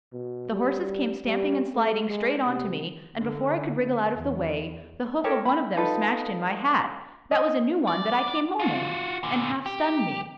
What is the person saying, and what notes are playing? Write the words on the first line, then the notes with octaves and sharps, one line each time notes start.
The horses came stamping and sliding straight on to me, and, before I could wriggle out of the way, the hoof of one of them smashed in my hat--that was a new one that I came home in--and half-stunned me.
B2
G3
G3
A3
G#3
C3
D3
E2
G4 A4 A#4 C#5
B5
D#4 F4 A4 B4
D#5
D5
F4 F#4
A#2 D3
G4